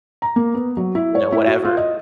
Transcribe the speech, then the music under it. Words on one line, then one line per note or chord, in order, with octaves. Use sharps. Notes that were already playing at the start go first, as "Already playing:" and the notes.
you know, whatever.
A#5
A#3
B3
F#3
E4
C#5
E4
F#4
F4
D#5